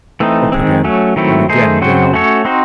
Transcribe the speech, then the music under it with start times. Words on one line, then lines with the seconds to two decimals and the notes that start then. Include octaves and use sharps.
Up again, and again down.
0.20 E3 A3 C4 D#4
0.52 D#3 G#3 C4
0.84 F#3 A3 C#4
1.16 D#3 F#3 A3 C4 E4
1.49 D#3 A3 D#4 G#4 C5
1.81 C#3 F#3 C4 F#4 C5
2.13 A3 C#4 F#4 A4 C#5
2.45 C4 D#4 F#4 C5